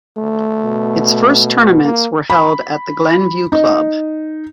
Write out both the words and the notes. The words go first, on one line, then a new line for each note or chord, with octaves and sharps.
Its first tournaments were held at the Glen View Club.
A3
B2
A#3
B5
D#4